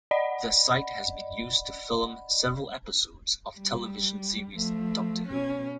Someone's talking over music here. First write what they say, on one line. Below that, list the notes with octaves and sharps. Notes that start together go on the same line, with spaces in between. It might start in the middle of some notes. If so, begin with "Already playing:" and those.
The site has been used to film several episodes of television series Doctor Who.
D5 D#5 F#5 B5
G3
F3 A3
B2 C#4